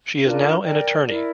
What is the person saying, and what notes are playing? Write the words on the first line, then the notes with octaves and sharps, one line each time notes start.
She is now an attorney.
D4 F4 A#4 D5
A#4 D5 G5
E4 A#4 D5